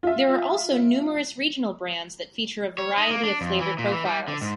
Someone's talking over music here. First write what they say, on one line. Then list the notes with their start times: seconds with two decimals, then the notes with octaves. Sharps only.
There are also numerous regional brands that feature a variety of flavor profiles.
0.03 F4 E5
2.78 C#5
2.98 D#4
3.11 A#3
3.23 D4
3.41 F2
3.61 E3
3.78 A#2
3.92 E3
4.05 G3
4.28 D3
4.42 G#2